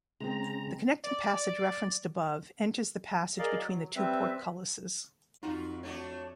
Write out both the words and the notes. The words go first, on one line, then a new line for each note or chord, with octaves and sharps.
The connecting passage referenced above enters the passage between the two portcullises.
C#3 G#3 C4 A#5
D5
G#4 A#4 D5 D#5 F5
F#3
G3 C4 B4 E5
F2 D#4 F4 F#4
A3 D4 F#4 C#5